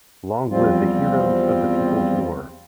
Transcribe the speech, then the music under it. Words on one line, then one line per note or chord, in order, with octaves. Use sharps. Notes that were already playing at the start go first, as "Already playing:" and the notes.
Long live the heroes of the people's war!
E2 F3 G3 C4 F4